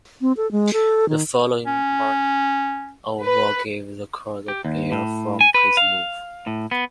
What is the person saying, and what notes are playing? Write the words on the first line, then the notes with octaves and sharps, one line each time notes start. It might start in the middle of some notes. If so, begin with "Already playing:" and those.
The following morning, Urwah gave the call to prayer from his roof.
C4
A4
G#3
A4
D#3
C#4
B4
G4
D#2
A2
G#5
B4
F5
A2
B3